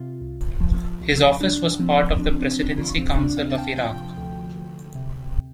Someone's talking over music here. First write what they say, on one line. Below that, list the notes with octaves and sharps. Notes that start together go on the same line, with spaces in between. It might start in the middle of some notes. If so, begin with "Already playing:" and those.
His office was part of the Presidency Council of Iraq.
Already playing: C3 F4
C2
F3
C2
C2 D4
F3 C4
F3 D4
C4
C2 D4
F4
D2 C4
D4
C3 F5
A5
G5
F3 G5
D2
D2
C3